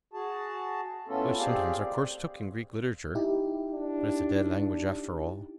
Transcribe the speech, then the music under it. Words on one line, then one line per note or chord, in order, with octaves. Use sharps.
I wish sometimes our course took in Greek literature, but it's a dead language after all.
F#4 G#4 A5
A2 A3 B3 C#4 F4 A4
C4 G4 G#4 D5 F5
D#4 E4 G4
D4